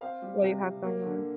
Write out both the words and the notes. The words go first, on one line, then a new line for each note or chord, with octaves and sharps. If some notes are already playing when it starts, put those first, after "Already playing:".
what do you have going on.
C4 F5
G3
C3
C3
A#3
D3